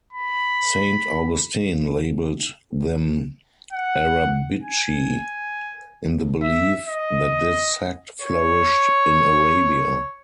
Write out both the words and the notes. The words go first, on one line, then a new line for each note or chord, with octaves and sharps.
Saint Augustine labelled them "Arabici" in the belief that this sect flourished in Arabia.
B5
F#5
G#5
E5
D#5
C#5